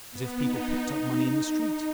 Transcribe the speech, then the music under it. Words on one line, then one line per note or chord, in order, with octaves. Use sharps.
As if people picked up money in the street!
B3
D#4
D#4
D#4